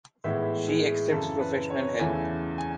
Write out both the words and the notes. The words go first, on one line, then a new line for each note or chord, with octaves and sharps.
She accepts professional help.
A2 E3 G#3 B3 E4 E5
G#4
F#2 C#3 E3 A4
B4
C#5
E2 C#3 E3 A3 E4 G#5
G#5